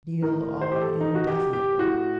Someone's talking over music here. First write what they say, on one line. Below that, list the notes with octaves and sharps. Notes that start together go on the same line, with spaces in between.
Kneel on indefinitely.
A2 A#4
C5
G4
A4
D#4
F#4
G4
G4
A2 F#4